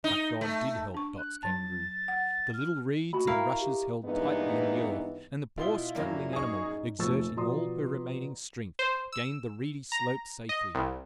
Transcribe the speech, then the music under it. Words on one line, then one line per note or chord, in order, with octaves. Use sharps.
But God did help Dot's Kangaroo; the little reeds and rushes held tightly in the earth, and the poor struggling animal, exerting all her remaining strength, gained the reedy slope safely.
D#4
A3
D4 C#6
F#6
F#3 A5 A6
F#5
F6
F#4 D#5 B5
E4 A#4 F5 G5
A#5
G4
G2 E3 G#3 A#3 B3 D#4
B2 E4 F4 C6 G7
F#2 A2 F#3 G3 A#3
D#4 G#4 C#6
F1 A#2 A3 C#6 E6 A6
B2 F3 D5 A#5 C6 D#6
C5
E6
A#5
D#5
C2